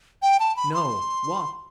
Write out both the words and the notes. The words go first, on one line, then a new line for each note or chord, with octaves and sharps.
No. Walk.
G5
A5
B5
C6